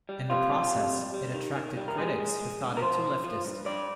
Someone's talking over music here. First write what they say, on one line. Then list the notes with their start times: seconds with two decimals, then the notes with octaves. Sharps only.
In the process, it attracted critics who thought it too 'leftist'.
0.09 G3
0.30 F2 F4
0.51 G3
0.73 F2
0.93 G3
1.14 G3
1.35 D#3
1.56 D#3
1.77 G3
1.88 A#4
1.98 G#3 G#4
2.19 G#3
2.40 G#3
2.61 G2
2.77 A#4
2.82 F3 C5
3.02 F3
3.24 F3
3.45 G2
3.65 G2 D5